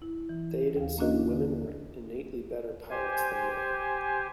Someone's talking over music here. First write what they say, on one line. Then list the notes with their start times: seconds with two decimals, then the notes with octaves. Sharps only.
Thaden said women were innately better pilots than men.
0.02 E4
0.29 E3
0.77 D#2 F5
0.98 A#3 C#4 D4 E4 F#4 D#5
1.29 D3
2.90 G4 C5 G#5